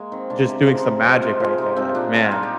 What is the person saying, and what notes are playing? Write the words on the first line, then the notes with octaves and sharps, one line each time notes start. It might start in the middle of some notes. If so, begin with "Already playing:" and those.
just doing some magic right there, like, man.
Already playing: G#3 A#3
D#3 C4
G#3 D4
C3 D4
F3 G#3 D#4
C3
F3 G#3
C3 F4
F3 G#3
C3 D#4
F3 G#3 C4
A#2 D4
G#3 D4
F4
A#2 D#4
G4